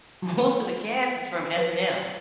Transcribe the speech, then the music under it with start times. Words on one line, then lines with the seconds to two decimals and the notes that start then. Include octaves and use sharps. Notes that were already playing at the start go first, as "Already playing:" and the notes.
most of the cast is from SNL.
1.58 B4